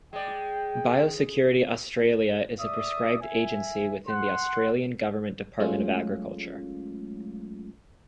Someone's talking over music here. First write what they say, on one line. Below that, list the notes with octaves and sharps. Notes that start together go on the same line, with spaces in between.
Biosecurity Australia is a prescribed agency within the Australian Government Department of Agriculture.
G#3 D5 G5
D5 E5 D#6
E5 G#5
F#5 C6
F#3 G#3 A3 C#4 F4